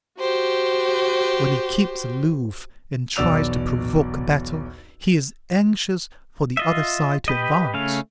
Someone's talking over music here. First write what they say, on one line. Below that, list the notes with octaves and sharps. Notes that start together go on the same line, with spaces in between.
When he keeps aloof and tries to provoke a battle, he is anxious for the other side to advance.
F#4 G4 C5
B1 E2 B2 D5 E6 F7
F4 D#5 E5
G4 B4 D#5
C#3 A3 C#4 F5